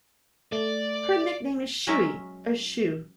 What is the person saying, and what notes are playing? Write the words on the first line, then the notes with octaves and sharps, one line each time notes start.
Her nickname is 'Schuey' or 'schu'.
A3 D5
F#3 G#3 C#4 A#4 E5